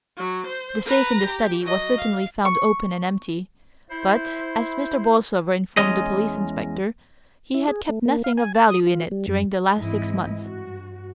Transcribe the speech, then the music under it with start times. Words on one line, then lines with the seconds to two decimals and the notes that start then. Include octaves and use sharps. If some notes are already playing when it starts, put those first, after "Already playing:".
The safe in the study was certainly found open and empty, but, as Mr. Borlsover informed the police inspector, he had kept nothing of value in it during the last six months.
0.17 F#3
0.47 C5
0.86 B4 A#5
1.25 G4
1.64 F#3 D#5
1.97 F5
2.45 C#6
3.91 E4 C5
5.77 E2 G#3 C#4 D#5
7.54 E4
7.68 G#4
7.89 A3
8.06 A#3
8.24 F5
8.37 G#5
8.55 A5
8.69 D#6
8.87 F4
9.11 G3
9.28 F#2
9.76 G#2 E3 G#3 C4 E4 D#5
10.41 G2 F#4